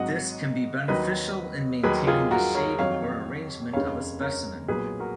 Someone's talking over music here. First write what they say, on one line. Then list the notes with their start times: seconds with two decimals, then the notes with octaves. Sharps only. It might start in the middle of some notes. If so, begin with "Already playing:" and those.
This can be beneficial in maintaining the shape or arrangement of a specimen.
Already playing: G#1 G#2 F#3 D#5 F#5
0.88 D#2 D#3 F#3 B4 D#5
1.83 D#2 D#3 F#3 G#4 B4
2.07 F4 G#4
2.31 F#4 A#4
2.55 A#4 C#5
2.79 F2 D#3 F#3 C#5 F5
3.73 F1 D#2 C#3 C#5 F5
4.21 A#4 C#5
4.68 B1 A#2 F#3 G#4 B4
5.00 F#4 A#4